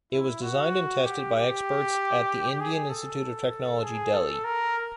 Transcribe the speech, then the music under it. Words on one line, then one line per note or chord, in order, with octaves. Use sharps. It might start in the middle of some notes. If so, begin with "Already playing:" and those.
It was designed and tested by experts at the Indian Institute of Technology Delhi.
E4
F#4
G4
G4
G#4
A4
G#4
A4
A#4